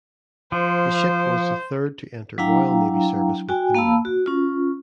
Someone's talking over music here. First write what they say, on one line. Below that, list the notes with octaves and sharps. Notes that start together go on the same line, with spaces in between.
The ship was the third to enter Royal Navy service with the name.
F3 C5
F#3 D4 E4 F5 G5 A#5
F#4 G5 G#5
A#3 F5 A5 B5 E6
F#4
C#4 F4